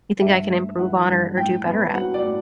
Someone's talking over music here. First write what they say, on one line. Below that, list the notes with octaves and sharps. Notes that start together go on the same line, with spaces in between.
you think I can improve on or or do better at?"
G2 E5
A3
E3 F#5
G2
A2 G5
B3
F#3 F#5
D5
A2